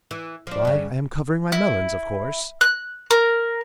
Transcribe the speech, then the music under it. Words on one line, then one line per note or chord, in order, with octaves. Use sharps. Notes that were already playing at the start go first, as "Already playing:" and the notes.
"Why, I am covering my melons, of course!"
E3
F3 D4
G2 C#3
E4
F#6
A#4